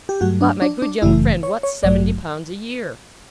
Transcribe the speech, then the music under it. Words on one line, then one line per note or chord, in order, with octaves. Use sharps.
But, my good young friend, what's seventy pounds a year?'
G4
G2 F#3 A3 F#4
D4
D4
D4
G1 F#2 C#3 E3 A3 E4
C#5
C#5
A1 G2 F#3 A3 D5